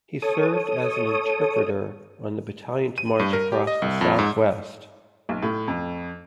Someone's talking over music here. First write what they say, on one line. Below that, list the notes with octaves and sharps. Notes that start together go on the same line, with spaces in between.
He served as an interpreter on the Battalion's march across the Southwest.
A4 C#5 D#6
D#7
G2
A#4
G4
D#5
C2
F2
G#2
B1
A2
F2